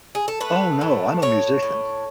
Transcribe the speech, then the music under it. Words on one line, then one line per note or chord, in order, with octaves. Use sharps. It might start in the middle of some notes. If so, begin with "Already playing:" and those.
Oh, no, I'm a musician.
G#4
A4
A3 B4
A2
A2 C#5
A2